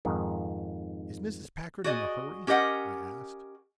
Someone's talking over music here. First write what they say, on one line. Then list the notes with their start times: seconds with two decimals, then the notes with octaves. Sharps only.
"Is Mrs. Packard in a hurry?" I asked.
0.05 F2 G#2 D#3
1.84 F#4 G#4 D5 D#5
2.47 C#4 G4 A#4 D#5 F#5